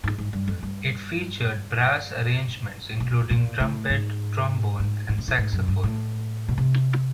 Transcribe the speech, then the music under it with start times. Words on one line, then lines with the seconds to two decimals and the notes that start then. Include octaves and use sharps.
It featured brass arrangements including trumpet, trombone and saxophone.
0.04 G#2
0.18 G#2
0.33 G2
0.48 F2
0.63 G2
3.00 B2
3.30 A#2
3.60 A2
3.90 G#2
4.79 G#2
5.09 A2
5.18 A#2
5.28 A2
5.38 G#2
5.53 F#2
5.68 G2
5.83 A2
6.48 B2
6.58 C3